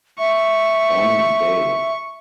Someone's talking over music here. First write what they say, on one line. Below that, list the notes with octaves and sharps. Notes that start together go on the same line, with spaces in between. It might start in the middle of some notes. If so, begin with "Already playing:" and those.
Ann Dale.
E5 C#6